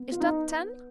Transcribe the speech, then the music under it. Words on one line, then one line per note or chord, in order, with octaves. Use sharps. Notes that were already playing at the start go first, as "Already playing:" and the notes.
"Is that ten?"
Already playing: B3
F4
D#4